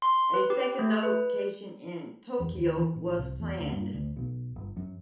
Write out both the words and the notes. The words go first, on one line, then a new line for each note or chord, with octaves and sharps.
A second location in Tokyo was planned.
C6
B4
G4
A3
B4
E2
D#2
E3
A1
C2
E2
D2
G2
D2
B1
G1
F#2